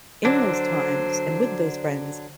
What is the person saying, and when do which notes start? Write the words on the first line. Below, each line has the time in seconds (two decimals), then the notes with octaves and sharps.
in those times, and with those friends,
0.25 D3 F#3 D4 C5